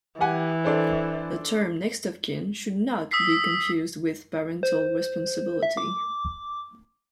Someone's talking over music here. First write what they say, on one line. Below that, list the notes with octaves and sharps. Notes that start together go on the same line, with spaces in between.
The term "next of kin" should not be confused with parental responsibility.
E3 G4 F#5 G#5
D4 A4 C5
D#6 E6 B6 C7
C5
E5
D6